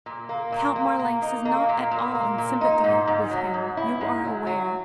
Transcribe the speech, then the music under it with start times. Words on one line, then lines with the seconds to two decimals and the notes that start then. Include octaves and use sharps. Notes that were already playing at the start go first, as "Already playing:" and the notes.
Count Marlanx is not at all in sympathy with him, you are aware.
0.06 A#2
0.29 A#3
0.52 A#2
0.76 A#3
0.99 A#3
1.22 D#4
1.45 A#3
1.69 A#2
1.91 A#2
2.15 A#3
2.38 A#2
2.61 D#4
2.84 G#2
3.07 G#2
3.31 F#3
3.54 G#2
3.77 E4
4.01 G#2
4.24 F#3
4.47 F#3